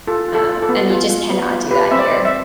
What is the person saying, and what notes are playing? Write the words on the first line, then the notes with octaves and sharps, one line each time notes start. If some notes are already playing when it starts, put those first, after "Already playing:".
Um, and you just cannot do that here.
F4 A4
F4
A4
F4
A4
B3
F4
F4
B3
F4
G4 B4
C4 E5
D5
C4
E5